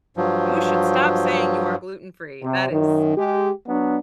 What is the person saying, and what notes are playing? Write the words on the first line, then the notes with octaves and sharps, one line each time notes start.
you should stop saying you are gluten free. That is
G2 F3 F#3
C3
F#2 D#3
G#3 G4
F#3 B3 D4